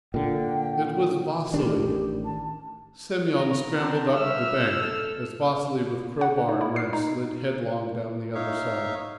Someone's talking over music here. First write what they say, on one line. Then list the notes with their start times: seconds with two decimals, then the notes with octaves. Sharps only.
It was Vasily! Semyon scrambled up the bank, as Vasily with crow-bar and wrench slid headlong down the other side.
0.14 A#2 D3 G5
1.54 A1 D#3 D4 G4
2.25 A5
3.38 B3 C#5 A#5
3.80 C4 A5
4.14 G3 B4 E5 E6 F6
4.80 A4
6.21 F#5
6.49 D#4
6.61 E4
6.76 C7
6.93 D#4
8.35 D#4 C#5 E5 F5